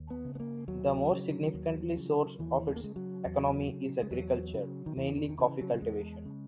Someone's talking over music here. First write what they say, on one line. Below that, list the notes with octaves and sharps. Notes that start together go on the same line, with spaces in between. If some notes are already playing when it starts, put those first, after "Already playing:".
The more significantly source of its economy is agriculture, mainly coffee cultivation.
Already playing: D#2
B3
C#3
B3
A#3
D#2 F#3
C#3
D#2
C#3
D#2 E3
G#3
A#3
C#3 G#3
F#3
E2
C#3
G#3
E2 F#3
C#3
D#3
E2 E3
D#3
D#3
C#3 E3
F#3
F#3
E2 G#3
C#3